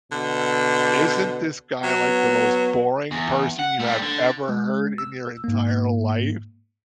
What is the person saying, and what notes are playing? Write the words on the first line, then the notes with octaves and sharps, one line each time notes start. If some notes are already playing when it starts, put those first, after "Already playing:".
"Isn't this guy like the most boring person you have ever heard in your entire life?
B2 D3
F#3 B3
E2
F#5
G3 A3
D3
G#3
E6
G#2 A#3